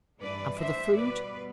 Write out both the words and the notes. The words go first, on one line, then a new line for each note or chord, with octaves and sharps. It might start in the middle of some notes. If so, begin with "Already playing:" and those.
And for the food!
G2 E3 G3 D4 B4 D5
C5 E5
B2 G3 B3 B4 D5